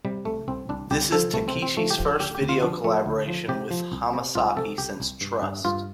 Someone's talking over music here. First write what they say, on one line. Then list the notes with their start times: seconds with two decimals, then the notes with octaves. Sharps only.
This is Takeishi's first video collaboration with Hamasaki since "Trust".
0.05 C3 G3
0.25 C2 A3
0.48 C2 C4
0.69 C2 D4
0.91 C2 G4
1.12 F3 A4
1.34 C2 A3
1.48 C4
1.56 C3
1.62 C4
1.77 F3 A3
1.90 G4
1.98 F3
2.05 A4
2.20 D2 G4
2.35 G4
2.41 D2
2.49 F4
2.62 F3 D4
2.84 F3 A3
3.06 D2
3.28 F3
3.49 C3 G4
3.71 F3
3.92 C2
4.13 C3
4.35 C2 F4
4.56 C3 A4
4.78 C2 G4
5.00 C2
5.21 G2
5.42 G2
5.65 G2 F4